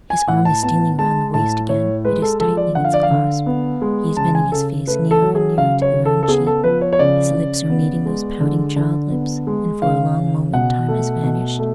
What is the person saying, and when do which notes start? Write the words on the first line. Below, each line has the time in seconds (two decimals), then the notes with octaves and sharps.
His arm is stealing round the waist again; it is tightening its clasp; he is bending his face nearer and nearer to the round cheek; his lips are meeting those pouting child-lips, and for a long moment time has vanished.
0.10 G#5
0.28 A2 F#5
0.45 A5
0.63 B3 A5
0.99 G#3 A5
1.34 A2 A5
1.69 A2 C#5
2.05 G#3 B4
2.22 A4
2.40 F3 A4
2.57 D5
2.75 D3 F#5
2.84 F5
2.94 D5
3.03 F5
3.11 D3
3.46 B3
3.82 G#3
4.17 C#3 A5
4.35 G#5
4.52 C#3 A4
4.87 A3 B4
5.11 A4
5.22 F#3
5.35 G#4
5.58 C#3 F5
5.82 C#5
5.93 C#3
6.05 A4
6.23 A4
6.28 B3 G#4
6.47 A4
6.64 F3 B4
6.81 C#5
6.93 C#5
6.99 C#3 D5
7.35 C#3
7.70 B3
8.06 G#3
8.40 D3
8.76 D3
9.11 B3
9.47 G#3
9.82 C#3 F5
10.18 C#3
10.53 B2 F#5
10.88 A3
11.24 B2
11.59 A3